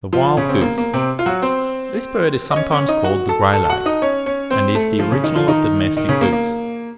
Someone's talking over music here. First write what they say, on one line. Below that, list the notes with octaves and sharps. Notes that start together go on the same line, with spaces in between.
THE WILD GOOSE.--This bird is sometimes called the "Gray-lag" and is the original of the domestic goose.
F3 F4
C#3 C#4
C4
A#3
A#3
C3 C4
F4
F#3 F#4
C4 C5
D#5
C#4 C#5
C#4 C#5
D#4 D#5
F#4 F#5
A4 A5
A4 A5
A5
F#4 F#5
D#4 D#5
C#4 C#5
C#4 C#5
C4 C5
A3 A4
F3 F4
C#3 C#4
D#3 D#4
F3 F4
D#3 D#4
D#3 D#4
C#3 C#4
A#3
A#3